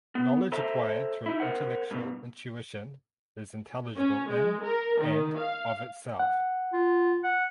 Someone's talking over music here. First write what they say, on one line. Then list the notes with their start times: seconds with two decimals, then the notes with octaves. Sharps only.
Knowledge acquired through intellectual intuition is intelligible in and of itself.
0.15 B3
0.52 A4 C5 D#5 E5 A5 A#5
1.26 D#4 E4
1.40 A#4 C5 F#5
1.91 G2 B2
3.96 C#4
4.29 G#3
4.63 A#4
4.99 D#3
5.37 F5
6.19 F#5
6.73 F4
7.24 F#5